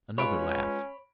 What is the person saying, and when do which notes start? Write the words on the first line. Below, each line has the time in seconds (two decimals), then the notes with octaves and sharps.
Another laugh.
0.18 G#3 C#4 F4 B4 C#5 B5 D7